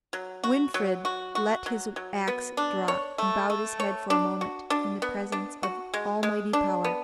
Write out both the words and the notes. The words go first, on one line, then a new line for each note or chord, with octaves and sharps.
Winfried let his axe drop, and bowed his head for a moment in the presence of almighty power.
F#3
F#4
F#3
F#4
F#4
F#3
F#3
B3
D4
C#5
A3
A3
C#5
D4
F#4
D4
B3
D4
F#4
G#3
G#3
D4
B3